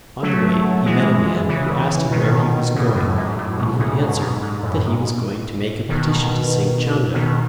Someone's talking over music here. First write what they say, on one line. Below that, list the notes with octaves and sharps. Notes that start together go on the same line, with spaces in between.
On the way he met a man who asked him where he was going and he answered that he was going to make a petition to Singh Chando.
F#3 A3
E3 G#3
C#3 E3
B2 D#3
A2 C#3
F#2 A2
G#2
F#2 A2
G#2 B2
A2 C#3
G#2 B2
F#2
G#2
G#2
F#2 A2
G#2
B2 D#3
B2 D#3